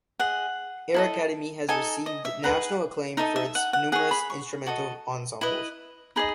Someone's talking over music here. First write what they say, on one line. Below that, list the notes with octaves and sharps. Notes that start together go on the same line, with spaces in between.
Air Academy has received national acclaim for its numerous instrumental ensembles.
G#4 D#5 F#5
E4 A4 D#5
D#4 A4 D#5 G#5
D#5
E5
D#4 G#4 B4 F#5
D#4 A4 D#5 E5
E5
F#5
F#5
G#4 C#5 F#5
B5
C#6
F#4 A4 D#5
E4 B4 D#5
D#4 G#4 D#5 B5